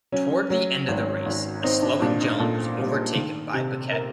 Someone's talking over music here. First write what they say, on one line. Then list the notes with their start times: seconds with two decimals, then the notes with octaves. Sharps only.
Toward the end of the race, a slowing Jones was overtaken by Piquet.
0.12 F#3 C#4
0.50 F#3
0.88 G#1
1.26 G#1
1.63 C4 D#4
1.82 D4
2.02 A#2 D4
2.21 D#4
2.39 A#2 A4
2.78 G3
3.15 D#3
3.54 C3
3.92 A#4